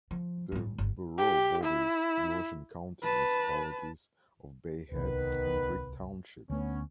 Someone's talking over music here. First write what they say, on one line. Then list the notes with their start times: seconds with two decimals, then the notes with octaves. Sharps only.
The borough borders the Ocean County municipalities of Bay Head and Brick Township.
0.11 F3
0.52 A1 G2
0.78 G1
1.18 G4
1.63 E4
3.02 B4 A5
4.91 D1 C2 D#3 B3 B4
6.50 D2 A3 B3 C#4